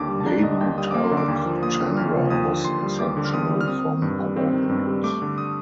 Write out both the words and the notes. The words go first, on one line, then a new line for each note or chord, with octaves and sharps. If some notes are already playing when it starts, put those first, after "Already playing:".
Babu Tarak Chandra was exceptional from other Hindus.
Already playing: D#2 D3 D4 D6
G3
A5
D4 A#5
D3 D#5
D#2 G5
G3 D#6
A#3 D6
C6
D3
D6
D#2
F3
A#3 D#6
D3
D#2 F6
F3
D#2 D#6
D3
D#2 C6
G3
D#2 D6
D3
F6
D#2 D#6
G3
F6
C4 D#6
D#3
G2
G3
C4
D#3
G2
G3
A3 D6
D3
D#6